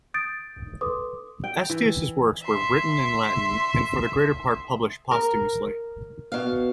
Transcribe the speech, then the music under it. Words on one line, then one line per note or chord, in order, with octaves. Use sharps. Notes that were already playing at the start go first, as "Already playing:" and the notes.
Estius's works were written in Latin and for the greater part published posthumously.
D#6 G6 A6 D7
A4 B4 C6 D6 D#6
G5
E3
E5 C6
A#4
B2 F5